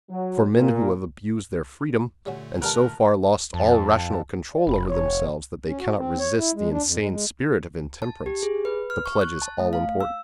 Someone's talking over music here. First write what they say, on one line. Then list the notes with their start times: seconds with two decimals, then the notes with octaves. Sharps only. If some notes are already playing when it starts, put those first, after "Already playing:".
For men who have abused their freedom, and so far lost all rational control over themselves that they cannot resist the insane spirit of intemperance, the pledge is all important.
0.10 F#3
0.57 A#2
2.26 A#2 D3 G3 A3 C#4 F#4
2.62 G3 B3 A#4 A5 F6 F#6
3.54 F2 A5
4.53 D5
4.67 F1 B5
4.88 C#5
5.67 C#4
5.80 F#4
5.98 C4
6.19 C#5
6.38 E4
6.55 G#3
6.72 D4
6.84 F2
6.99 G#3
7.11 G#3
8.02 A5
8.26 G4
8.43 G#4
8.65 B4
8.90 F6
9.06 C#6
9.22 F#6
9.42 A5
9.60 A3
9.73 F5
10.01 E6